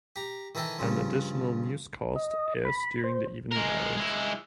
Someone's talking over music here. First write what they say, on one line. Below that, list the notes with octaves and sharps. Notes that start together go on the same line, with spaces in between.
An additional newscast airs during the evening hours.
G4 A#5
D#3 E3 D#4 A4 G5
G2 C#3 F3
D#5
B5
C5
G#3 A#4
G#3 E4